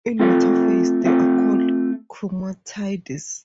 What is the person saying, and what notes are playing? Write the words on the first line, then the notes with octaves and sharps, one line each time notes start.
In metaphase, they are called chromatids.
A3 C4 F4 A4 E5
A3 C4 F4 A4 E5